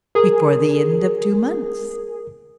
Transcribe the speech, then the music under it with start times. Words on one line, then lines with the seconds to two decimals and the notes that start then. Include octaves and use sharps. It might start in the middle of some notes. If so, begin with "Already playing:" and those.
"Before the end of two months."
0.15 G#4 A#4